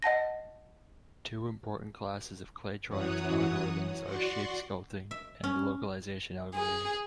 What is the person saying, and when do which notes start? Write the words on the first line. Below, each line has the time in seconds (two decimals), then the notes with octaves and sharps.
Two important classes of claytronics algorithms are shape sculpting and localization algorithms.
0.02 D#5 F#5 A5 A#6
2.87 F#2 E3 F#3 C#5 F#5 D#6
4.03 F#4 D5 F#5 C6 C#6
5.11 E5
5.44 C#4
6.54 G#4